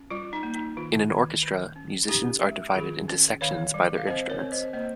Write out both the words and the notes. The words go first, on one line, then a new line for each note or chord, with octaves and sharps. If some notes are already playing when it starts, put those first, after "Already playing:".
In an Orchestra, musicians are divided into sections by their instruments.
Already playing: C#4
G3 F4
D#4
A#3
D#4
D#3 F4
D#3
D#3
C#4
C#4 D#4 G4
G#3
D#3 F4 G#4
C#4
D#3 C#5 F5
G3
F5
C4 C5 D#5
A#4 C#5
C4
C5 D#5
A#3 C5 D#5